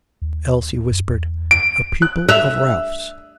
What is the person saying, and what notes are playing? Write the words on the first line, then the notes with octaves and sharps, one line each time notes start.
Elsie whispered, 'A pupil of Ralph's.
D#2
F#2
E2
D7
F#6
E5 F#6 E7 F7